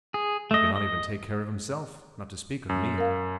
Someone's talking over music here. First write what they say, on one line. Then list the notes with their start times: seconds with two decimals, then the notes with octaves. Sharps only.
He could not even take care of himself, not to speak of me.
0.14 G#4
0.51 A3 D#5
0.76 D#5
2.69 F#2
2.98 A#4 F5